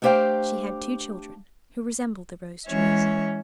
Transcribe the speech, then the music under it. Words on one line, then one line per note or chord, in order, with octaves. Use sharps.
She had two children, who resembled the rose trees.
A3 D4 G4 C5 F5 G5
E3 G#3 C#4 C#5 E5